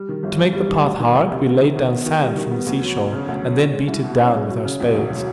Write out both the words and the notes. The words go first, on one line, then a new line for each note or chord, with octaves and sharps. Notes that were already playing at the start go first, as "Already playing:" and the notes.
To make the path hard we laid down sand from the sea shore, and then beat it down with our spades.
Already playing: G3
D#3
G1
F#2
G3
D#3
D2
D#3
D2
C3
D2
D#3
D#3
B3
D#3
G3
D#3
B3
D2
F#3
D2
C#3
D2
F#3
C#4
G#3
C2
B2
C#4
G#3
F#3
C#3
E1
D2
F#3